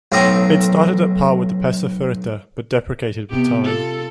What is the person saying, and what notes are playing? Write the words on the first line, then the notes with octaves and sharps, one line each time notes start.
It started at par with the peso fuerte, but depreciated with time.
B1 A2 C4 A#5 D#6
C3 B3 G4
F4 A4